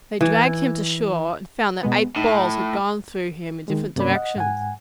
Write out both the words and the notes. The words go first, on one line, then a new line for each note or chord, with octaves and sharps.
They dragged him to shore, and found that eight balls had gone through him in different directions.
E3
B2 G#3 B3
A2 D#4
D#3 G#3
G2 C3 A#3 C#4 D5 B5
D#5 F#5
G#2 F#5 G#5